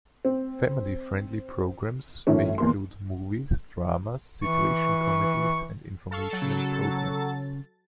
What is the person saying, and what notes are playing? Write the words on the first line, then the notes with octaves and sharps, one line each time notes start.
Family friendly programs may include movies, dramas, situation comedies and informational programs.
C4
A2 D#3 F3 C#4
E2 A#3 C6
E3 C#6
A4 F5 C#6
F#3 A4 A6
C#3